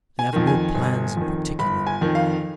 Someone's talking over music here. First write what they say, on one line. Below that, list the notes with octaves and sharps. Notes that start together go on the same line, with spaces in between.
They have no plans in particular....
G#5
F2 D#3
G#5
G1
F2 D#3
G1 B5
G#5
F2 D#3
F5